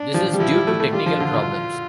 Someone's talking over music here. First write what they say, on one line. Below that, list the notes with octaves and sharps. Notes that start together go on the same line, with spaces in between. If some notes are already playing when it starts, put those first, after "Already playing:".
This is due to technical problems.
Already playing: D4
F3
G3
F3 E4
G3
A3
A3
G3 F4
F3
D3
D3